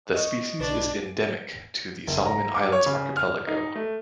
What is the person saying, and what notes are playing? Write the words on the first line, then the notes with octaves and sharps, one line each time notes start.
The species is endemic to the Solomon Islands archipelago.
D#5 C#6
B1 D4 B4 A6
F#1
A#5
D6
C#5
C#3
F6
D#4
A3